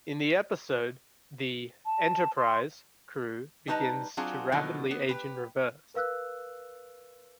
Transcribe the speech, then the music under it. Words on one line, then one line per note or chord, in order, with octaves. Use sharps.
In the episode, the "Enterprise" crew begins to rapidly age in reverse.
A5
C6
G3 D4 D#4 B4 A5 A#5
F#3 C4 D4 F4 F#4 G#4
B2 D3 D#3 F3 F#3 A#3
B3
G4 B4
A#4 B4 F5 E6 F#6